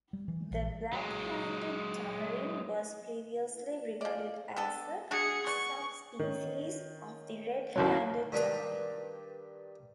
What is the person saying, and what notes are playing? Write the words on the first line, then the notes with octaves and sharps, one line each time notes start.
The black-handed tamarin was previously regarded as a subspecies of the red-handed tamarin.
G3
E3
A#1
F#3 G#3
F3 D5
B3 D4 A4
D4 F#4 G#4 C#7
B3 D5 C#6
D#3 C#4
A1 D#2 F#3 C#5
G2 D#3 G3 D4 B4 A#5